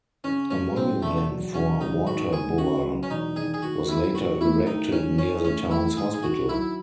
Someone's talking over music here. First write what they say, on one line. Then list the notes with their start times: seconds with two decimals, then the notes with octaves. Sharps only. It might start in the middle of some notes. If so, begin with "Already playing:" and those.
A monument for Waterboer was later erected near the town's hospital.
0.24 C#3 C#4
0.50 F#3 C#4
0.76 C#3 C4
1.02 E1 A3
1.29 F#3
1.54 E1 C#4
1.81 F#3 D#4
2.06 D#2 F#4
2.33 D#2 G#4
2.58 C#3 F#4
2.85 F#3
3.03 C#4
3.10 E1 D#4
3.36 D#3 G#4
3.54 G#4
3.62 D#2 F#4
3.88 D#2 E4
4.14 D#2 F#4
4.41 A3 E4
4.67 D#3 D#4
4.92 D#2 C#4
5.18 D#3 C#4
5.44 A3 C#4
5.71 A3 E4
5.97 D#3 G#4
6.14 G#4
6.22 D#3 F#4
6.49 F#3 E4